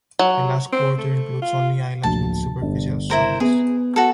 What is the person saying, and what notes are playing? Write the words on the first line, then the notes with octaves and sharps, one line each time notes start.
The last quarter includes only islands with Superficial soils.
F#3
C4
A3
F4
D1 A#1 A5
G1
E4 A#4 C5
B3 G#4
F#4 A4